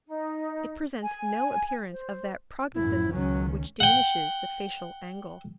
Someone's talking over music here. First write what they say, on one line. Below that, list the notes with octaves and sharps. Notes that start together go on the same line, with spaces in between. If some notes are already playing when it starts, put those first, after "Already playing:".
It presents no appearance of that prognathism which diminishes the facial angle.
D#4
G#5
C5
A1 F#2 E4
C#2 D#3 F#3 C#4
F#5 G5